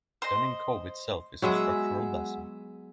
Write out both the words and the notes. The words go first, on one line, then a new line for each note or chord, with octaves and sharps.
Dunning Cove itself is a structural basin.
C5 D#5
F#3 G#3 B3 G#4 E5 F#5